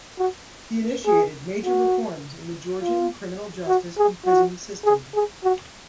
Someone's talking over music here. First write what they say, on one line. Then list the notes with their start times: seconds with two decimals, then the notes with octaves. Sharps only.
He initiated major reforms in the Georgian criminal justice and prisons system.
0.19 F#4
1.06 G#4
1.64 F#4
2.81 F4
3.68 F#4
3.97 G#4
4.26 F#4
4.84 G#4
5.14 G#4
5.44 F#4